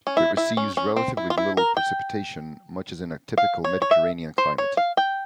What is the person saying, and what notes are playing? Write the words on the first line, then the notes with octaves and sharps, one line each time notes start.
It receives relatively little precipitation, much as in a typical Mediterranean climate.
C#4
E4
E4
C#4
C#4
C4
E4
F4
E4
A#4
G5
F5
C#5
C#5
E5
C5
C#5
F5
G5